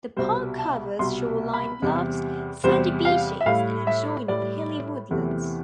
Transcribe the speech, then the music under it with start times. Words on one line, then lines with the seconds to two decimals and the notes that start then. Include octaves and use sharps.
The park covers shoreline bluffs, sandy beaches and adjoining hilly woodlands.
0.17 C2 B2 G3 C5
0.58 A5
0.99 C2 B2 G3 C6
1.54 B5
1.82 E2 C3 G3
2.64 E2 C3 G3 C5
3.05 F5
3.41 E5
3.46 A2 G3 F5
3.87 E5
4.28 A2 G3 D5
5.10 E2 C3 E3 A3